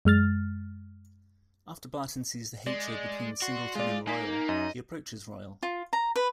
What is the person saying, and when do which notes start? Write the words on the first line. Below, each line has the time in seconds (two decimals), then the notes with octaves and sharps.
After Barton sees the hatred between Singleton and Royle, he approaches Royle.
0.05 F#2 G#3 F6 A6
2.67 G#3 D5
3.42 F#4 C6
3.75 G#3 F4 D5
4.07 A#3 D#4 G#5 B6
4.49 F#2 D#5
5.63 F4
5.93 A#5
6.16 B4